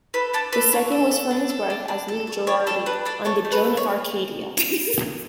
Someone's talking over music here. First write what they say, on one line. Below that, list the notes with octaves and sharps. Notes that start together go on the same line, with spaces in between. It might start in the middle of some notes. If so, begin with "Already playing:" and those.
The second was for his work as Luke Girardi on the "Joan of Arcadia".
A4 B4
D4 A4
A4 B4
D4 C#5
A4
A4
D4
A4
D4
D4
A4
A4
D4 C#5
D4 A4
D4 B4
D4 A4
A4 C#5
A3
B4
A4
C#5